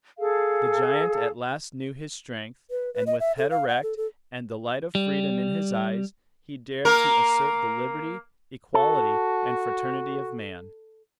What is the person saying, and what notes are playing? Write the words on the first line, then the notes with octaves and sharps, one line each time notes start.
The giant at last knew his strength, and with head erect, and the light of freedom in his eyes, he dared to assert the liberty, equality and fraternity of man.
G#4 A4 F5
B4
B4
D#5
E5
A4
F5
F#5
A4
A4
G3
A#3 A#4
F#4 A4